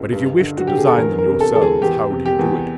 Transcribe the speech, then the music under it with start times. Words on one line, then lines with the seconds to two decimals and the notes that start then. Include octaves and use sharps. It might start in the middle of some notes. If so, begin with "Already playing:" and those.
But if you wish to design them yourselves, how do you do it?
Already playing: C#2
0.12 G2
0.40 D3
0.58 F#4
0.67 D3 G4
0.77 G#4
0.87 A4
0.98 E2 A#4
1.18 A#4
1.26 C3
1.40 A4
1.54 E2 A4
1.62 G#4
1.82 E2 G4
2.11 C3
2.26 G4
2.39 E2